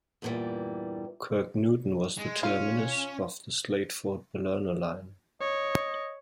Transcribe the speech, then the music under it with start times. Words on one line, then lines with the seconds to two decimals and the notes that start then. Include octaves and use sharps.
Kirknewton was the terminus of the Slateford-Balerno line.
0.22 E2 G2 A#2 E3 G3
2.17 G#3
2.43 C#4 F4
5.41 C#5 D#5